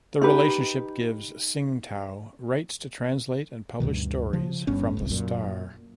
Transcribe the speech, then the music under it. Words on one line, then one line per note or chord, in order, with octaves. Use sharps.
The relationship gives "Sing Tao" rights to translate and publish stories from the "Star".
D#4 G4 B4
D2 G2 B2 D#3
C#3 F3
G1 G2 B3 C#4
D1 G1 C2
F#2 A#2